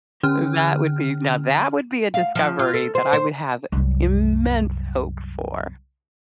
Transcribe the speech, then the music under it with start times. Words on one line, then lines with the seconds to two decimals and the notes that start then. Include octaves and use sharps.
That would be Now, that would be a discovery that I would have immense hope for.
0.23 D3 C#4 F6
2.14 F5
2.35 F3
2.59 F4
2.74 A4
2.95 C5
3.13 C5
3.72 C2 F#2